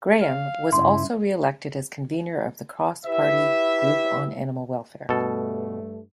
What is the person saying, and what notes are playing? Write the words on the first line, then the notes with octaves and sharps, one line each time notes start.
Grahame was also re-elected as Convener of the Cross Party Group on Animal Welfare.
F5
G2 C#3 E4 C6
E4 G4 B4 E5
G2 B2 A3 A4